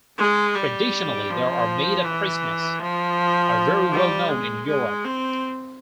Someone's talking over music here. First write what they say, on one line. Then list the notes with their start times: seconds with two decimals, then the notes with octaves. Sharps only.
Traditionally, they are made at Christmas, are very well known in Europe.
0.18 G#3
0.55 G3
1.30 F3
2.05 E3
2.80 F3
3.92 G3
4.29 G#3
4.66 G#3
5.04 C4